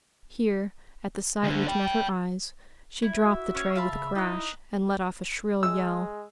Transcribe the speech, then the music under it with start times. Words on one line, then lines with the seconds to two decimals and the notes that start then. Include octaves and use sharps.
Here, at the sight which met her eyes, she dropped the tray with a crash, and let off a shrill yell.
1.43 D2 D3
1.67 D5 G5
3.02 E4
3.21 F#4 E5
3.55 C#4 C#5
3.76 F4 F5 A5 B5
3.91 C#3
4.15 D#4 E4 E6 F#6
5.63 G#3 E6